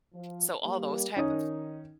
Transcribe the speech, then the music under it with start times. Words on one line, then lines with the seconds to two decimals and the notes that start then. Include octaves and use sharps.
so all those type of
0.13 F3
0.63 G3 A#3
1.17 D#3 C#4 D#4 D#6